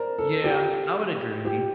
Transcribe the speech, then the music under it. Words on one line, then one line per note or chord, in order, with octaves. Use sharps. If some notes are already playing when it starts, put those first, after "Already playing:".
Yeah, I would agree.
Already playing: A#4 C5 D5
A4
G4
G4